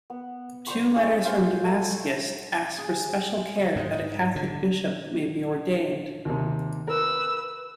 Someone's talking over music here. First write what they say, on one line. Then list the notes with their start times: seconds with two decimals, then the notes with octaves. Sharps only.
Two letters from Damasus asked for special care that a Catholic bishop maybe ordained.
0.10 B3
0.67 C5 D5 C6 C#6
0.95 C#4 E4 G#4
1.25 C5 F5 F#5 C6
1.64 A3
2.78 G#4
3.76 G#2
4.36 D3
6.25 D#2 C3
6.88 A#4 B4 E6